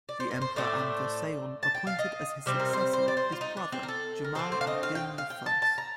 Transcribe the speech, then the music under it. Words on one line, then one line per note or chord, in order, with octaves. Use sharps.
The Emperor Amda Seyon appointed as his successor his brother, Jamal ad-Din the First.
D5
C5
A#4
C5
A2 A3 C4 D5
A5
G5
F5
D#5
C3 G3 C4 C5
A#4
C5
C5
D5
C5
F4
D#4
D4
C4
A#4
A4
A#4
D3 A3 C4 A4
C5
F5
D#5
F5
G5
F5
G5
A5
A5
A#5